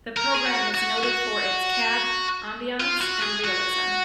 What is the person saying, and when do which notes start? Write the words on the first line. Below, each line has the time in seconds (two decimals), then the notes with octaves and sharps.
The program is noted for its cab ambiance and realism.
0.17 A#4
0.34 G#4
0.46 F#4
0.75 F#4
1.04 F#4
2.80 F4
3.02 F#4
3.23 G#4
3.45 F#4